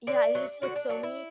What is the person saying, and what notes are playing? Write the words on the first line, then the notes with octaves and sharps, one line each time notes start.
Yeah, it has, like, so many
D3 D5
F#3 A3
D3 F#4
D4
F#3 A3 D4
E4